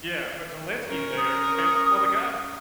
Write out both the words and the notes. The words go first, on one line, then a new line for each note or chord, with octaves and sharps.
Yeah. But Zelenski's there. And well the guy
C#4 A#4
D#6